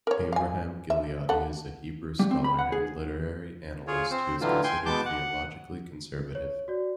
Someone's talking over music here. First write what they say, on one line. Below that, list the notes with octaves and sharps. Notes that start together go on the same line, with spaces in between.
Avraham Gileadi is a Hebrew scholar and literary analyst who is considered theologically conservative.
A#4 C#5
F5 G#5
E5
A4 F#5
G3
C4
B5
F#5
G#4
F4 G#4 C#5
C4 C5
A2 D3 E3 F#3 F4
G5 G#5 C6
B2 G#3 B3 A5 D6 G6
F#5
C#5
F#4 D5